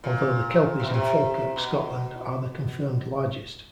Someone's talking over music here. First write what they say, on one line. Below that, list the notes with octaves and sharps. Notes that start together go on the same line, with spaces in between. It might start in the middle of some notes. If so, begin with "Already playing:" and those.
Although the Kelpies in Falkirk, Scotland are the confirmed largest.
A#2
C3
B2
C3
B2